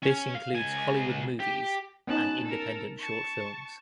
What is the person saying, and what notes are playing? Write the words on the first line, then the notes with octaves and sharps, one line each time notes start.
This includes Hollywood movies and independent short films.
C#4
F5
C#2 G#5
G4
B3 C#4 D#4 A5 F#6
A4 A#4
A5 C#6